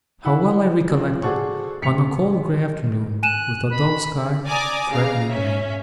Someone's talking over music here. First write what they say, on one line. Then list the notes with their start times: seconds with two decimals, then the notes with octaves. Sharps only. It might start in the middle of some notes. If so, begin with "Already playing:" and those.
How well I recollect it, on a cold grey afternoon, with a dull sky, threatening rain!
0.25 E4 F#5 B5
0.90 F3 C4
1.23 F#4 G#4 A4 C5 D5 C#6
1.82 A1 B6 C#7 F7
3.23 G#5 F#6 D#7 E7
3.70 B5
4.46 D5 G#5 A#5 D6 D#6
4.90 C#3 F5 A#5
5.29 C#4 E5